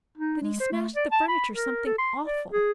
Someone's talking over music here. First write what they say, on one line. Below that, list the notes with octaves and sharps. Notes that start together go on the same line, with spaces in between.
Then he smashed the furniture something awful.
D#4
G#3
C5
A3
D5
A5
B5
A#4
A4
C6
D5
G#4